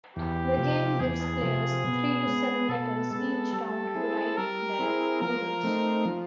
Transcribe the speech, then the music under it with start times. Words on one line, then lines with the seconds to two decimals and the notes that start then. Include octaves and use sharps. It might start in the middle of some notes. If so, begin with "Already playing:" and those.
The game gives players three to seven letters each round to write their Noodles.
0.15 E2 G4
0.57 C3 F3
1.00 E2 G#4
1.42 C3 F3
1.84 B2
2.27 G#3 B3
2.69 B2 A4
3.11 G#3 B3 A4
3.52 G3 A4
3.94 C4 E4 G#4
4.37 G3 A#4
4.79 C4 E4 G#4
5.21 F3 A#4
5.63 A3 C4 D#4
6.05 F3